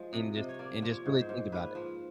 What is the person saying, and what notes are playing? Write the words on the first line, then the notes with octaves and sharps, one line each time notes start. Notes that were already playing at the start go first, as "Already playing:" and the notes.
and just and just really think about it.
Already playing: F3 G#3
C3 D#5
C3 D#5
C#5
A#3 D5
F3
C#5
G#2
C5
G#2
A#3 B4
F3